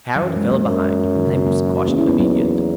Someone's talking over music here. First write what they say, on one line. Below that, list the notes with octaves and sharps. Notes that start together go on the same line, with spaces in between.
Harold fell behind, limp, squashed, obedient.
F#3
F#2 E3
G#3
F#3 A#3
F#2
G#3
F#3
D#3
C#3
C#3
F#3 A#3
E2 A#3 C#4
C#4 E4
B3 D#4
F#3 A#3